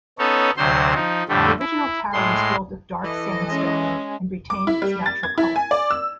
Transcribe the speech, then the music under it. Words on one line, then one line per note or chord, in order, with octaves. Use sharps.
The original tower was built of dark sandstone and retained its natural color.
B3 C#4 D#4 A4 C#5
D2 C3 F#3 C5 C6
F3 D#4
F2 A2 D3 G3 A3
E4
A2 G#3 C6
E3 A4 D#5
G#3 C#4
D6
E4
G3
A6
G#6
E4
G#5
D5
E6